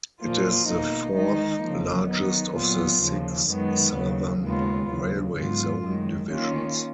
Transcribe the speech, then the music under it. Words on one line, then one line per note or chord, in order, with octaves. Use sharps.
It is the fourth-largest of the six Southern Railway zone divisions.
A#2 F3 A#3 F4
B2 A#3 D#4
D#3 G#3 D#4
C#3 F3 A#3
D#3 F#3 B3 D#4
A#2 F#3 B3 F4
D#2 C#3 F3
F#2 D#3 G#3 B3
D#2 C#3 F#3
D#2 C#3 G#3 B3 F4
D#2 C#3 F#3
G#2 F#3 B3 F4
F#2 D#3 G#3
D#3 A#3 C#4 F4